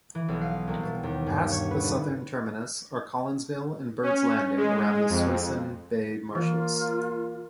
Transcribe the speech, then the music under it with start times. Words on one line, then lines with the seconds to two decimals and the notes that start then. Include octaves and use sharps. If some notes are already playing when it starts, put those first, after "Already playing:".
Past the southern terminus are Collinsville and Birds Landing around the Suisun Bay marshes.
0.15 E3
0.28 B1
0.41 F5
0.67 C2
0.83 B2
1.03 D#2
1.26 G2
1.52 C#5
1.71 B4
1.84 D3
4.03 C#4
4.57 G#3
5.09 F2
6.35 E3 A#3 F4